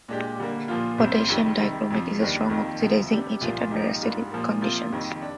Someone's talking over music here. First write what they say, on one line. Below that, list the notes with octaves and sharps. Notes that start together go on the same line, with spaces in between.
Potassium dichromate is a strong oxidizing agent under acidic conditions.
A#2 G#3 D4 G4
D3 G3 A#3
A#2 F3 A#3 F4
C2 C3 G3 C4
F2 D#3 G3
C3 D#3 G3
F2 C3 F3
D#2 D#3 G3 D4
F2 D#3 A#3
D2 C3 F3
C3 G3 D4 G4
C2 A#2 F3 A#3 F4
G#2 F3 A#3 D#4 G4
G#2 G3 D4 F4
A#2 F3 A#3
C3 F3 A#3 F4
F2 D#3 G3
D4